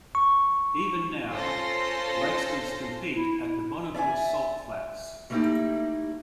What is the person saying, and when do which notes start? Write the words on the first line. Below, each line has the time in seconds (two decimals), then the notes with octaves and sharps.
Even now, lakesters compete at the Bonneville Salt Flats.
0.15 C#6
1.32 C#4 F4 A4 C5 C6 A#6
3.15 E4
3.94 D5 E5 F5 G#5
5.30 G3 A3 A#3 D#4 E4 G4